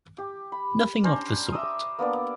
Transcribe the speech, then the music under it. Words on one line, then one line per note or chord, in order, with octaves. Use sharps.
Nothing of the sort.
G4
B5
C#4 D4 C5 A#5
E5 A#5 D6 D#6
A#3 B3 D4 D5